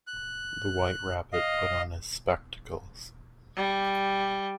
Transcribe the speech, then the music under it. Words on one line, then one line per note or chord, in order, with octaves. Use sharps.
The White Rabbit put on his spectacles.
F#6
D#5 F5
G3